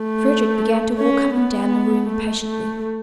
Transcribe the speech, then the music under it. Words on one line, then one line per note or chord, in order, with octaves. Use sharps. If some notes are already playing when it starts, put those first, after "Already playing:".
Frederick began to walk up and down the room impatiently.
Already playing: A3
C#4
B3
A3
A3